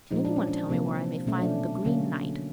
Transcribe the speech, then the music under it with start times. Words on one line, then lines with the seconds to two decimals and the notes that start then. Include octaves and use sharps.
'Can anyone tell me where I may find the Green Knight?'
0.11 A#2 F3 G#3 D#4
0.25 D4
0.36 C#4
0.47 D4
0.69 C3 F3 A#3 C4
1.27 B2 F#3 A3 C#4
1.42 D4
1.85 D3 F#3 A#3 C#4